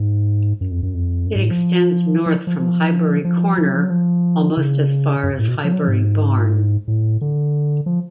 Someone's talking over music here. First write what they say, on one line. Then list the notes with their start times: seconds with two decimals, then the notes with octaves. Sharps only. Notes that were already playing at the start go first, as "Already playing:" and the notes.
It extends north from Highbury Corner almost as far as Highbury Barn.
Already playing: G#2
0.61 F#2
0.71 F2
0.83 F#2
0.94 F2
1.26 F#2
1.35 G#2
1.42 A2
1.51 F3
2.26 F3
2.47 F3
2.59 F3
3.25 F3
3.58 F3
3.66 F#3
3.74 F3
3.83 F#3
3.90 F3
4.57 C#3
5.23 F#2
5.39 A2
5.48 B2
5.64 F3
5.73 F#3
5.81 F3
5.88 G#2
6.88 A2
7.21 D3
7.86 F3